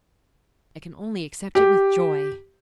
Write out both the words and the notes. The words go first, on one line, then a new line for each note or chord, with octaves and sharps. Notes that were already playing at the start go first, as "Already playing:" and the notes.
I can only accept it with joy.'
G4